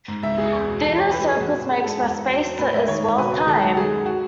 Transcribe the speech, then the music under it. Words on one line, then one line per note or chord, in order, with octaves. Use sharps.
The inner circles may express space as well as time.
G#2
C#2 E5
C#2 G#4
E2
B2
E3 A4
F#2 C#5
F#2 B4
F#2 G#4
A2 F#4
A2
F#3 G#4
G#2 A4
E2
E2
F#3
F#3
A2 B4
G#3 E5
D#3 C#5
G#2
B2 B4
C#2
D#3 A4
G#3 F#4
D#3 G#4
F#2
F#4